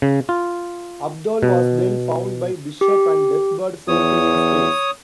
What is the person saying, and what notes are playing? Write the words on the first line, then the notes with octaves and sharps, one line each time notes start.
Abdol was then found by Bishop and Deathbird floating in space.
C#3
F4
B2
G4
E2 C#5 D#6